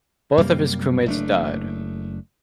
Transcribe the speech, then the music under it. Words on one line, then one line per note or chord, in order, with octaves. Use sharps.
Both of his crewmates died.
F#2 C3 G3 A#3
F#1 A3 D4